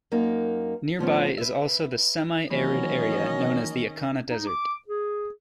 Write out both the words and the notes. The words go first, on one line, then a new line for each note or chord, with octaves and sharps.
Nearby is also the semi-arid area known as the Accona Desert.
F#2 A#3 D#4 A#4
A2 F3 B3 C#4
B4 E5
D#3 E3 F#3 A#3 C#4 D#5 B5
D#4
D6
G#4